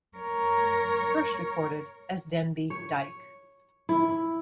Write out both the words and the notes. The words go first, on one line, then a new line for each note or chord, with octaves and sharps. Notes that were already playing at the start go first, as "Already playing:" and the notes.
First recorded as Denby Dyke.
A#4 C#5
C#5
E4